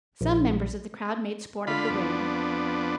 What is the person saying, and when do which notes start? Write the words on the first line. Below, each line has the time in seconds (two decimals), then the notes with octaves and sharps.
Some members of the crowd made sport of the women.
0.21 A#1
1.67 D3 F4 B5
1.90 F2 B3 D4